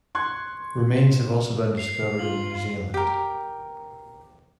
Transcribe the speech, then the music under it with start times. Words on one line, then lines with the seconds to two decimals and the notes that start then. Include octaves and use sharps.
Remains have also been discovered in New Zealand.
0.15 C6 C#6 F#6 G#6
1.78 C7 F7
2.19 F4 F#7
2.94 G4 A#4